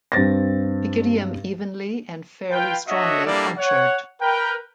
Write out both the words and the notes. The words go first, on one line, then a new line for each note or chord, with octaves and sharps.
Pygidium evenly and fairly strongly punctured.
G2 C4 A6 A#6
F4 B4 F5 G5
D4 F#4 C#5 D#5 E5 F#5
G3 A#3 D4 E4 A4 D5
C#5 F#5
A#4 B4 G5